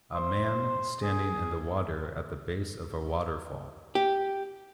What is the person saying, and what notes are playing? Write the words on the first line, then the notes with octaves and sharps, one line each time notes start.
A man standing in the water at the base of a waterfall.
C5
G#4
G4